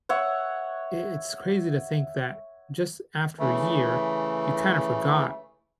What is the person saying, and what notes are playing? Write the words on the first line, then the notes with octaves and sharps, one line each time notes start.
it it's crazy to think that just after a year, you kind of forgot
C#5 E5 F#5
C#3 E3 A3